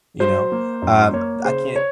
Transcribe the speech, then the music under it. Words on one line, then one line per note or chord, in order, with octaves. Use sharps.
you know? Um, I can't
F#3 C5
A#3
F#2
A#3 C#5
C#3 C5
C#5